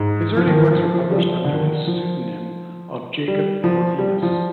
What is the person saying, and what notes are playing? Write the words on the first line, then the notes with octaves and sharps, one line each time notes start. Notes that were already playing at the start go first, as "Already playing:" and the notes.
His early works were published under the pseudonym of Jakob Corvinus.
Already playing: G#2
F3
D#3
F3
F3
G3
F3
D3
D#3
F3
G3
F3
G3
F3